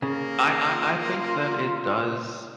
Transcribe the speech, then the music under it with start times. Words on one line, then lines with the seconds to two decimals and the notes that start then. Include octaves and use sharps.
I I I think that it does
0.02 C#3 A#3
0.64 F4